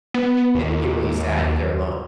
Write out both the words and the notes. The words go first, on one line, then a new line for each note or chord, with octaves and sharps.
Yeah, they get really sad if they're alone,
B3
D#2